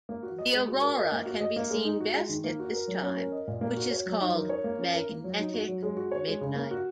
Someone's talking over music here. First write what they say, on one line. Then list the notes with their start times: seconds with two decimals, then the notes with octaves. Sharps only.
The aurora can be seen best at this time, which is called magnetic midnight.
0.09 A#3
0.23 F#4
0.38 D#5
0.53 G#3
0.68 F#4
0.82 A#4
0.97 D#5
1.12 A#3
1.26 F#4
1.40 D#5
1.56 A#3
1.71 G#3
1.85 D#4
2.00 F#4
2.14 G#3
2.29 D#3
2.44 A#3
2.59 F#4
2.73 A#4
2.88 F#3
3.03 C#4
3.17 A#4
3.32 D#5
3.48 A#2
3.61 A#3
3.77 F#4
3.91 C#5
4.06 F#3
4.21 D#4
4.35 A#4
4.49 C#5
4.64 A#3
4.79 C#4
4.94 A#4
5.09 A#3
5.24 F#3
5.39 D#4
5.53 F#4
5.68 F#3
5.83 G#3
5.97 F#4
6.11 C#5
6.27 G#3
6.41 C#3
6.55 A#3
6.71 F#4